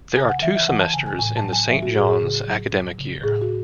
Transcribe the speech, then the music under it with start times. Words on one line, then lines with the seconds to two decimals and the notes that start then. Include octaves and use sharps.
There are two semesters in the Saint John's academic year.
0.16 C#3 G#5
0.29 F#5
0.42 E3 E5
0.55 E5
0.68 E3 F#5
0.80 A5
0.94 C#3 G#5
1.06 G#5
1.19 A2 G#5
1.37 A5
1.44 F#3
1.53 G#5
1.70 F#3 E5
1.82 F#4
1.95 A2 G#4
2.08 G#4
2.21 C#3
2.47 F#3
2.73 F#3
2.98 C#3
3.23 A2 G#4
3.41 F#4